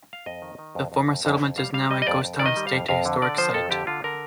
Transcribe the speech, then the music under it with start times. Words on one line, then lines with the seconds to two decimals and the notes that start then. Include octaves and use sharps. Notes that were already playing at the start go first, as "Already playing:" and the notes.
The former settlement is now a ghost town and state historic site.
0.13 F5
0.26 F2 D#5
0.42 D#3
0.59 D#3
0.75 F2
0.92 F2
1.08 F2
1.25 F2
1.41 F2
1.57 G3 F5
1.74 G3 F5
1.90 G3 D#5
2.02 D#5
2.07 F2 D5
2.24 F2
2.39 D#3 D5
2.46 D#5
2.56 G3
2.67 F5
2.72 F2
2.88 F2 F5
3.05 D3
3.22 D3 D5
3.38 F3 C5
3.54 F2 A4
3.71 D3 G4
3.87 D3 F4
4.04 D3 A#4